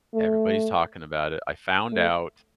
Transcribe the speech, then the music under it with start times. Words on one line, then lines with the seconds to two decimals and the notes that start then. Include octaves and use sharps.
everybody's talking about it, I found out
0.14 A3
1.92 A3